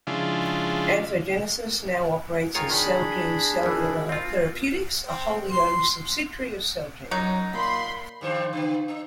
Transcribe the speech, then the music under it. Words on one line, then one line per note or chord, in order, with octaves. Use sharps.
Anthrogenesis now operates as Celgene Cellular Therapeutics, a wholly owned subsidiary of Celgene.
C#3 F3 G#3 D4 E4 F4
D#3 F4 G#4 A#4 C#5
D#3 D4 G#4 B5
G#1 E3
C4 F4
C4
C6
F#2 F#3 D#4
A#2 B5 C6
G2 D3 C5
C#3 B3
D4